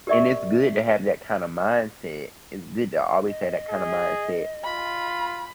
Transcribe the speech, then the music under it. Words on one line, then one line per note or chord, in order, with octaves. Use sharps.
And it's good to have that kind of mindset. It's good to always have that kind of mindset.
G4 A#4 D5 E5 C#6
D#5
G#4
F4 B5